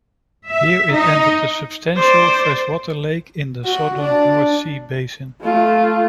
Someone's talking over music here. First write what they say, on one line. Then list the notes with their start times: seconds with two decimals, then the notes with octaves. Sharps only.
Here it entered a substantial freshwater lake in the southern North Sea basin.
0.49 E5
0.94 D#4
1.96 C5 D5
3.65 F#4
3.99 D4
5.42 A3 F4